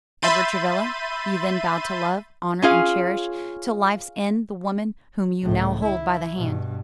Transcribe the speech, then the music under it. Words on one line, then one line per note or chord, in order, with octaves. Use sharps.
Edward Travilla, you then vowed to love, honor and cherish till life's end the woman whom you now hold by the hand.
E5 B5 C6 G6 A6 D#7
C#4 F4 G#4 F5
C#2 A2
E4
G2 B2